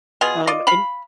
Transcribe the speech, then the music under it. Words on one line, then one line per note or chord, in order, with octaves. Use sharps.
Um, and
B2 F4 G#4
F4 D5 D#5
F5 B5